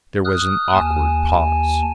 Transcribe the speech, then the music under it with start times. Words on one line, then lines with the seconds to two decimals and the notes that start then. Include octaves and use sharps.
There was an awkward pause.
0.25 D#6 F6 F#6
0.74 D#2 G#5 A5